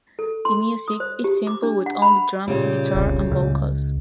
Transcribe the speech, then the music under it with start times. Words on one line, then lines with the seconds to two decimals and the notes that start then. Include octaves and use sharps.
The music is simple with only drums, guitar and vocals.
0.19 A4
0.45 C6
0.88 D#6
1.00 C5
1.24 G4
1.47 D6
1.63 D4
1.86 F#5
2.02 B5
2.48 A#2 C#3 G3
2.95 E1 C2
3.31 C#2